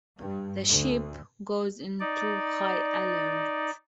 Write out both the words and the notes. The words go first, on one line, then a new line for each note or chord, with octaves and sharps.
The ship goes into high alert.
G2
D2
D#4 D5